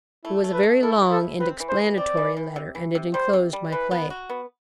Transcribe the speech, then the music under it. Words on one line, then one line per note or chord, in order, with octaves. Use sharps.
It was a very long and explanatory letter, and it enclosed my play.
A3 E4
A3
B4
A3
E4 A4
E4
A4
A3
C4 B4
E3
C5
E3
C4 D5
E3
E3
C3
E3
C3
G3 C5
C3
G3
E3 B4
B3
F#4
B3